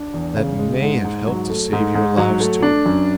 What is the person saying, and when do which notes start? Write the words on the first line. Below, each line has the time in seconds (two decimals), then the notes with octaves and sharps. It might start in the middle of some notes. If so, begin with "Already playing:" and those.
That may have helped to save your lives too.
Already playing: D4
0.14 E2
0.37 C#3
0.59 G#3
0.82 G#2
1.04 G#2
1.27 F#3
1.50 A3
1.73 G#2
1.95 G#2
2.18 F#3
2.40 A3
2.62 D4
2.86 F#2